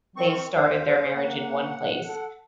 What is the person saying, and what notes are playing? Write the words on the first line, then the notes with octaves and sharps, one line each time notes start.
they started their marriage in one place.
D#3 C4 C#6
D#2 C5 F5
A#3 F#5
A4